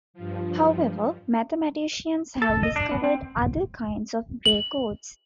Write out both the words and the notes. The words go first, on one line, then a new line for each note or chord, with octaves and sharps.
However, mathematicians have discovered other kinds of Gray codes.
G2 F3
A4
D#5
D4
B3
C4
F#7